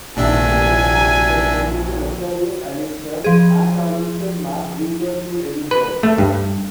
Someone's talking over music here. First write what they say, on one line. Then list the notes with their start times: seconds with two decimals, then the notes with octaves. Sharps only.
The chief responded by sending the notorious Alistair MacAllister MacGregor to Edinburgh.
0.17 A#1 C3 D#3 D4 E5 G#5
3.24 F3 G#4
5.71 B4
6.03 A3
6.18 G2